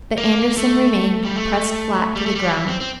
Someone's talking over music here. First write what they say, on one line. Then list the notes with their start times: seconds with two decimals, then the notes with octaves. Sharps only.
But Andersen remained pressed flat to the ground.
0.18 A#3
0.57 A3
1.25 G3
1.36 A3
2.16 G3
2.26 A3
2.36 G3
2.55 E3
2.68 C4
2.81 C4